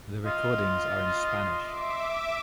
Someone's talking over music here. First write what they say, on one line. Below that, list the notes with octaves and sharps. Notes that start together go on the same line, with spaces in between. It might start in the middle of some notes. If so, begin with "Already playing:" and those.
The recordings are in Spanish.
F4 D#5 C6
E5 D6